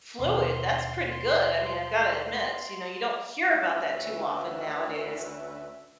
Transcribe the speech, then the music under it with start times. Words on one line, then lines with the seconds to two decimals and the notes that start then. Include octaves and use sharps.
fluid, that's pretty good. I mean, I've gotta admit, you know, you don't hear about that too often nowadays.
0.19 D#2 B2 C6
3.58 D2 D3 C#4 B4 E5